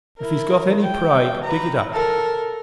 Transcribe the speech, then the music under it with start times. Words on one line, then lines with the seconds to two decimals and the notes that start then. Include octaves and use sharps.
If he's got any pride, dig it up.
0.17 E4 A#4
0.82 G5
1.43 B4 A#5
1.93 A4 A#4